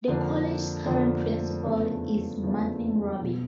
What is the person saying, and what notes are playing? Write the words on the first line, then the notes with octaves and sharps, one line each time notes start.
The college's current principal is Martin Raby.
F2 D3 F3 A#3 D4
F2 D3 F3 A#3 D4
E2 C#3 F3 A3 D4
E2 C#3 F3 A3 D4
E1 E2 B2